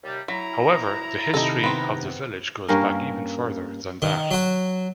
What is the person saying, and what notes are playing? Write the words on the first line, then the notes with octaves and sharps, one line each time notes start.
However, the history of the village goes back even further than that.
D#2 C3 G3
F#3 E4 A#5 B6
C3 D#3 D#4 A4
B3 C4
G2 A#3 C#4 A#4
D#3
F#3 F#4